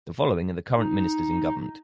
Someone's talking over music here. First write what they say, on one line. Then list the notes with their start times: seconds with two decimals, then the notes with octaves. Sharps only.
The following are the current ministers in government.
0.77 D#4